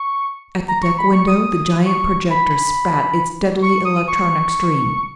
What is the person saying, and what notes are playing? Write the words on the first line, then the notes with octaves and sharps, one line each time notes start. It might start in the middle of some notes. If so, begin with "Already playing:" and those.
At the deck window the giant projector spat its deadly electronic stream.
Already playing: C#6
A#5
C#6
B5
C#6
D#6
C#6
B5
C#6
D#6
C#6